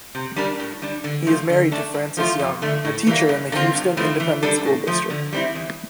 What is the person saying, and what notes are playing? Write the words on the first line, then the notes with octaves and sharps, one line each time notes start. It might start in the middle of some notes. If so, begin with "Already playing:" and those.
He is married to Frances Young, a teacher in the Houston Independent School District.
C3
G3 D4 G4 A#4
A2
G3 D4
D3
F3 A3
D3
A3 D4
G2
F3 A3 D4 F4
F2
D3 A3
A2
E3 G3 A#3
G2
D3 A3 C4 F4
G2
F3 A3 C4 E4
E3
G3 D4 A4
A2
F3 A3
D3
G3 C4 E4
E2